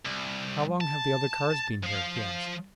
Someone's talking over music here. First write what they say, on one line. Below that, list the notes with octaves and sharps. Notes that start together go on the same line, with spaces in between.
"How long have the other cars been here?" he asked.
C2
A5
F3 F5